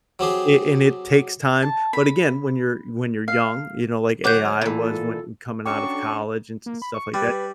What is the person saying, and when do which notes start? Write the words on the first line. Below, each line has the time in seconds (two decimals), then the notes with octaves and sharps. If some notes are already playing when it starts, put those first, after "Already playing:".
a and it takes time, but again, when you're when you're young, you know, like AI was when coming out of college and stuff like that,
0.19 F#3 C4 G4 G#4
1.62 A5
1.93 B5
3.28 F5
4.24 D2 F#3 C#5 F#5 D6 F#6 G6
4.61 A#2 E3 F4 A4
5.66 F#3 C#4 D4 A4 G5 C#6 D6
6.66 A#3
6.82 B5
6.94 C#6
7.14 G3 B4